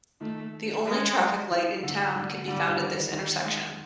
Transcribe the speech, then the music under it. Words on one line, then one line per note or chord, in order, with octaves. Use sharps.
The only traffic light in town can be found at this intersection.
D#3 A3
G#3
E3
D3
D3 G3
D3 G3
D3
D#3
D#3
G#3